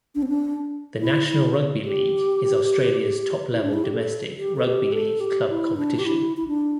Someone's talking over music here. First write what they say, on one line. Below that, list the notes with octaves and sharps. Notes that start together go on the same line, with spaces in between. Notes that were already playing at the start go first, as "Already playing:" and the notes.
The National Rugby League is Australia's top-level domestic rugby-league club competition.
D4
C4
D4
E4
E4
G4
E4
D4
E4
G4
A4
G4
A4
G4
A4
G4
E4
D4
G4
E4
E4
D4